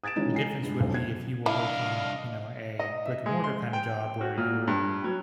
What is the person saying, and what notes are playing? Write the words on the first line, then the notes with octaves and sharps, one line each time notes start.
the difference would be if you were working, you know, a brick and mortar kind of job where you were
D#6 G#6 A6 D7 E7
D#3 E3 G#3 C#4 D#4 F4
G#5 C7
G2 G#3
F#1 B1 F2
G#6
C2 D4 E4 D#5 F5
D#5
E5
G#3
C6
G5
F#4
A#2
G2
F#3